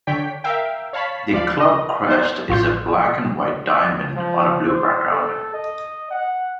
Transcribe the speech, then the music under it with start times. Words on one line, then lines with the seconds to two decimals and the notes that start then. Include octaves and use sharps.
The club crest is a black and white diamond on a blue background.
0.07 D3 D4 C#5 G5 B6
0.44 A#4 E5 F5 G5
0.93 C#5 F5 A5 B5 B6
1.32 D2 F3 D5 F5 B5
1.60 D#5
2.06 B3 D#4 C5
2.49 A1 F4 C6 G6
4.16 F3
4.68 C5
5.11 A4
5.54 D#5
6.11 F#5